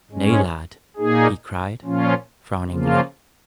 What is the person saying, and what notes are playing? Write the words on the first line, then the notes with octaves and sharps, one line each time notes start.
"Nay, lad," he cried, frowningly.
G#2 G#3 C#4
A#2 A#3 D#4 G#4
A#2 F3 C#4 F4
C#3 F3 A#3 F4